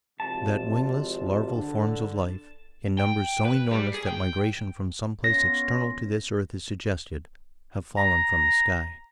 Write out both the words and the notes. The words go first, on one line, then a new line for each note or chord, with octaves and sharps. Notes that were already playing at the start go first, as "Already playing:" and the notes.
That wingless, larval forms of life, in numbers so enormous that migration from some place external to this earth is suggested, have fallen from the sky.
G#1 C3 F3 A5
D3
G5
B4
G3
G#4
G5
B3 C#4 F4 A#6
A#5